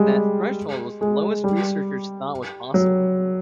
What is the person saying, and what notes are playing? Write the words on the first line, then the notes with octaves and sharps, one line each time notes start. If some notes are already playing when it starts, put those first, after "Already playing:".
That threshold was the lowest researchers thought was possible.
Already playing: G3 G#3
G#3
G3
F#3